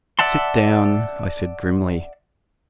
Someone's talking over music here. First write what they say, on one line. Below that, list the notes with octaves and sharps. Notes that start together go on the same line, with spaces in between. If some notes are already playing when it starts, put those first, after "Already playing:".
"Sit down," I said grimly.
D5 E5 F#5 A5 C6